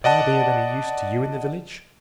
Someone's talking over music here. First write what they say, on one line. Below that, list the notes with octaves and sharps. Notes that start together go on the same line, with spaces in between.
Can I be of any use to you in the village?
D5 D#5 F#5 A5